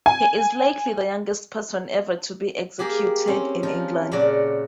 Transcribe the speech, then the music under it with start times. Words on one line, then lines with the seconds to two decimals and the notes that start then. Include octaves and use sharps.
He is likely the youngest person ever to be executed in England.
0.06 G#5
2.79 A#3 G4 G#4 A#4
3.27 C4 C#4
3.63 F3 D#4 F4
4.11 A#2 C#3 F#4 A#4 D5